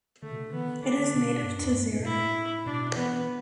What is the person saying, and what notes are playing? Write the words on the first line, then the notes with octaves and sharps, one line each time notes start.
It is native to Zaire.
D3 A3
B2
D3
E3 B3
D3
D3 D4
B2
G2
E2
G2
A2
B2
E4
A2
B2 D4
E3 B3